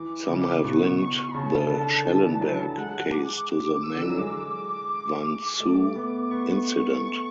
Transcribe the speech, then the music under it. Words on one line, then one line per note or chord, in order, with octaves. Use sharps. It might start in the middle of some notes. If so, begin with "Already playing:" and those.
Some have linked the Schellenberg case to the Meng Wanzhou incident.
Already playing: E3 D6
C#3
B2 C#6
C#3 A5
D3
E3
D3
E3
F#3
G#3 F#5
D6
D6
E6
D3
E3
F#3
G#3 D6
A3
B3
B3 C#6